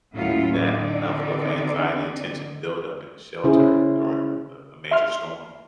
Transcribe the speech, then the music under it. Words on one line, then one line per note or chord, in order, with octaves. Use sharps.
that level of anxiety and tension build up in a shelter during a uh, a major storm,
D#2 A2 F#3 C#4 E4 F4
D3 C4 D#4 D5
C#3 C#4 E4 G#4 C5
E5 C6 F6